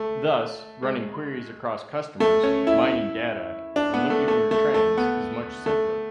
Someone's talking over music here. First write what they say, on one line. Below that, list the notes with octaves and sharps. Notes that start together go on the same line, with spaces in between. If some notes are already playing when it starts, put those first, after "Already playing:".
Thus, running queries across customers, mining data, and looking for trends is much simpler.
Already playing: A3
G#3
A3
C#4
E4
D4
B3
A3
A3
A3
A3
B3
A3